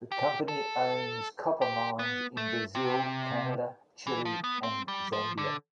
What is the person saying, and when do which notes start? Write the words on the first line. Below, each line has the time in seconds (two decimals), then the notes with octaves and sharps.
The company owns copper mines in Brazil, Canada, Chile, and Zambia.
0.12 G4
0.48 A4
1.62 G4
1.99 B3
2.37 A3
2.75 C3
4.07 E3
4.25 F3
4.44 B3
4.63 C4
4.88 G3
5.13 F3
5.38 D3